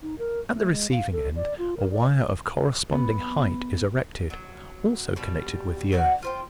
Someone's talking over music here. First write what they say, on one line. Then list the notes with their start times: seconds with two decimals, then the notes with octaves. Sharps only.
At the receiving-end a wire of corresponding height is erected, also connected with the earth.
0.02 D#4
0.18 A#4
0.52 A3
0.71 G#3
0.91 F5
1.12 A4
1.36 D5
1.58 F4
1.77 A#4
1.91 D5
2.91 B3
4.30 F#3
5.16 B2 G3
5.92 F#3 A#3 F#4 D5
6.22 F4 C5 G5